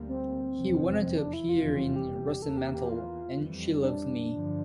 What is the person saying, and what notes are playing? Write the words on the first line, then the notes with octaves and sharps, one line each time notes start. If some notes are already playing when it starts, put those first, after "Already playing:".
He went on to appear in "Russet Mantle" and "She Loves Me".
Already playing: D2 D3 G3 A#3
C4
F1 E2 C3 F3
C4
D4
E4
F1 E2 C3 E3 G3 F4
G4
E2 E3 A#3 A4
G4
G4
F4
F2 E3 G3
D4
G2 D3 F3